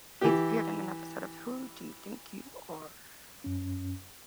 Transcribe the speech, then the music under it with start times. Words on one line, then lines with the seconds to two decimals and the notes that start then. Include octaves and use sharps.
Yates appeared in an episode of Who Do You Think You Are?
0.21 E3 G4
3.44 F#2 C#4